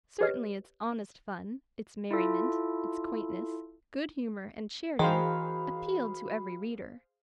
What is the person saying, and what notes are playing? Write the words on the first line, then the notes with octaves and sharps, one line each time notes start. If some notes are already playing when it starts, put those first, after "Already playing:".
Certainly its honest fun, its merriment, its quaintness, good humor and charity appealed to every reader.
G4 B4 C#5 D#5 F6
E4 F4 A4
D#3 E3 F#4 G#4 C5 F5 B5